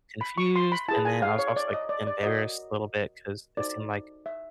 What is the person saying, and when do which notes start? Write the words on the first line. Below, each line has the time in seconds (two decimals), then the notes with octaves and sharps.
confused, and then I was also, like, embarrassed a little bit 'cause it seemed like
0.21 B5
0.38 C#6
0.56 C6
0.72 B5
0.88 E4 G#4 B4 A5
1.05 G#5
1.22 F5
1.39 C#5
1.56 D5
1.73 D#5
1.89 D5
2.07 D5
2.23 F#4 A#4 C#5 D#5
3.57 D#4 F#4 A4 C5 D5
4.26 E5